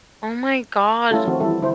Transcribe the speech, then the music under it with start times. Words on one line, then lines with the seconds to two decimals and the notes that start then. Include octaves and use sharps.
Oh my god,
1.11 A3 C#4 E4 F4 A4
1.27 D#3 F3 C4 F#4
1.40 E3 G3 E4 A4
1.62 D3 E4 C5